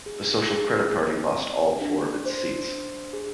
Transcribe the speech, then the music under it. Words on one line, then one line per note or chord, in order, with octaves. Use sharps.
The Social Credit Party lost all four of its seats.
G#4
G#4
C5
C4
D4
C5
D4
G#4